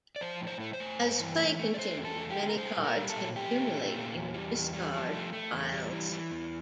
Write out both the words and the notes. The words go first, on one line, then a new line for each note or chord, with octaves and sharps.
As play continues many cards can accumulate in the discard piles.
D5
F3 C5
A2
C5
A3
C5
A3
G2
E3
A3
A3
D5
A3 C5
E2
A4
A3
G4
D3
A#4
G3 C5
A#2
A#4
G3
A4
A#2
A3 G4
A#2
A3
A#2
E2
G3
E2
G3
F3
A3
A3
E2
G3
E3
E3
E2